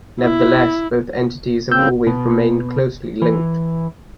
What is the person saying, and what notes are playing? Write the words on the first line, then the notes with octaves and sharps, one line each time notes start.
Nevertheless, both entities have always remained closely linked.
E4
C#3 C4 E6 G6
B2
E3